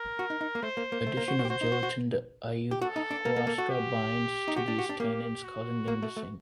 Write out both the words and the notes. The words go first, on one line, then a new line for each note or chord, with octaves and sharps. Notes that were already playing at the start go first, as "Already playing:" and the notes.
Addition of gelatin to ayahuasca binds to these tannins, causing them to sink.
Already playing: A#4
F#4
D#4
D#4
A#3
A3 C5
A#3
A#3
A3
A#3
F#4
F#4
G4
F#4 C5
D#4
F#4
F#4
G4
F#4 A4
D#4
D4
A#3
A#3
A#3
F#4
G4
D#4
F#4 G4
D4
F#4
D4
A#3 G4
F#4
A#3
A3
A3